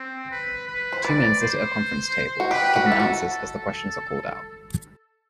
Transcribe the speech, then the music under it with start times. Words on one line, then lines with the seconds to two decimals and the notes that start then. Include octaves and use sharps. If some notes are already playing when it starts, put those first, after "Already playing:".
Two men sit at table at a conference given answers as the questions are called out.
Already playing: C4
0.31 B4
0.67 B4
0.92 C5
1.04 B4 D5
1.41 C5
2.40 F#4
2.51 G4 B4
2.76 F#4
2.87 E4 A4
3.00 F#4